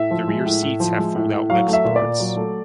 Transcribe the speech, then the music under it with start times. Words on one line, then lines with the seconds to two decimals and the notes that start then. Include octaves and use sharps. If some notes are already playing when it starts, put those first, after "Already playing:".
The rear seats have fold out leg supports.
Already playing: A2 E5
0.11 F3
0.28 G#3
0.46 A2
0.62 A2
0.80 F3
0.98 G#3
1.15 A2
1.33 A2
1.50 F#3 F5
1.68 A3
1.73 E5
1.85 A#2
1.96 D5
2.02 A#2
2.20 F#3
2.36 A3